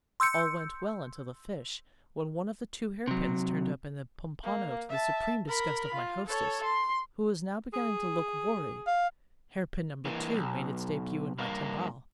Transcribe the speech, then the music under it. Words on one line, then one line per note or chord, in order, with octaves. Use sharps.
All went well until the fish, when one of the two hair-pins turned up in the pompano to the supreme disgust of my hostess, who was now beginning to look worried. Hair-pin number two made its debut in my timbale.
C6 E6 G6 C#7
C3 F#3
A#3
E5 A5
A#4 B5
F4
A4 C#5
C6
G#4
F5
E3 A#3
B1
G2 A#3